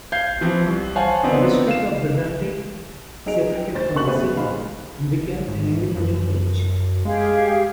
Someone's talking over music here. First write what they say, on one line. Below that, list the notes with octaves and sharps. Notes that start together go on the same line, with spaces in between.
The district of Berente separated from the city and became an independent village.
F5 G6 G#6 C7
E3 F3 C4
C2
C5 C#5 F5 F#5 G#5 A5
D3 E3 B3 C4 D4 D#4
F5 E7
F#3 D#4 G#4 D7 F7
G5
D2 C5 A6
C#3 A#3 F#4 C#6 F#6 F#7
A3 B3 G#4 B4 C5
G#1 A#2 G#3 F5 B5
G#2
F#2
G#3 G4 G#4 F5